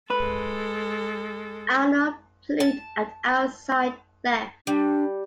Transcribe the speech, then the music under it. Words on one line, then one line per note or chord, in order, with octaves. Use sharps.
Arnold played at outside left.
G#3 A4 B4
A5
G3 D4